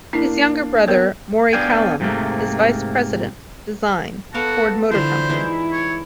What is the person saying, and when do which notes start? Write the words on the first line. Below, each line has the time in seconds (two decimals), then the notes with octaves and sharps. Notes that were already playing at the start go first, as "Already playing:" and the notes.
His younger brother Moray Callum is Vice President, Design, Ford Motor Company.
0.13 A#3 D4 E4 C7
0.88 B3 A#4 C#5
1.53 B3 D4 D5 F5 G5 G#5
2.00 G#2 C3 E3 A3 A#3
4.34 B3 F#4 A4 A#4 F5
4.91 D3 E3 F3 E4 C5
5.30 E3 G#3 D#4
5.72 C#5